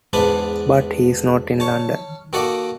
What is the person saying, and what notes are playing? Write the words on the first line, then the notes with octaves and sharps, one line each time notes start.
But he's not in London?
E2 G#2 D4 B4 A5
C#5 A5
D#3 A#3 F#4 A4 D5 F#5